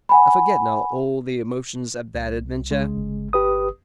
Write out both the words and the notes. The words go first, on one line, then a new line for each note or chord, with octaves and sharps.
I forget now all the emotions of that adventure.
F#5 G#5 B5
C2
C#3 G#3
G1
G4 B4 D#6